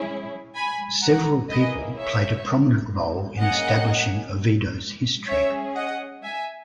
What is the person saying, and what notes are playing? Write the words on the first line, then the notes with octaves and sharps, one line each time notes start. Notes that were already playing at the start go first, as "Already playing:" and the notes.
Several people played a prominent role in establishing Oviedo's history.
Already playing: C#4 E4 G#4
G#5 B5
F#5 A#5
A#3 E4 G#4 B4 D#5
C#5 E5
A#3 C#4 G#4 D#5 F#5
C#4 G#4 C#5 E5
D#5 F#5
E5 G#5